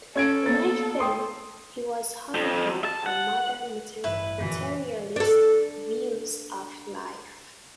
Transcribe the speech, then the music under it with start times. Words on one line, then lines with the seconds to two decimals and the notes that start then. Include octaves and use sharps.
Like them, he was horrified by modern materialist views of life.
0.16 C#4 A4 G#6 D7
0.46 A#3 B3 A6
1.00 G5 C6 D#6
2.35 F2
2.84 A5
3.06 F#5
4.04 A1 G2 E4 B4
4.39 F#2 A#2 D3 E3
5.16 D4 A4